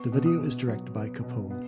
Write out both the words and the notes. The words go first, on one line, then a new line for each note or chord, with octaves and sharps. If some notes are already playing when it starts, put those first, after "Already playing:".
The video is directed by Capone.
Already playing: B3 C#6
B2
D#6
B2
F#3
B3
B2
B3